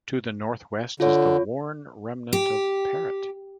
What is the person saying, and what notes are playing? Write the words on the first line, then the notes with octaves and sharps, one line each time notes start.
To the northwest is the worn remnant of Parrot.
D3 F4 C#5
G4